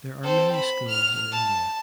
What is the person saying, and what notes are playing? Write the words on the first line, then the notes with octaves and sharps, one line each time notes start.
There are many schools in India.
C4 A4
B5
F6 F7
A5